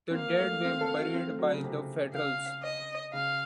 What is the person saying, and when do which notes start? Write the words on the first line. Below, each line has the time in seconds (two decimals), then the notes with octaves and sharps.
The dead were buried by the Federals.
0.10 C4
0.15 A#3 F5
0.40 A3
0.65 C4
0.81 A4
0.98 F#4
1.14 C4
1.27 A3
1.39 F#3
1.52 C#3
1.64 C3
2.13 C#3 F5
2.63 D#5
3.13 C#3 F5